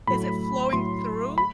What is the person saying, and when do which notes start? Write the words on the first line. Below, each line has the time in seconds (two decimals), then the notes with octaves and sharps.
is it flowing through?
0.07 A2 F#3 A3 B5
0.73 A2 F#3 A3 C6
1.38 B5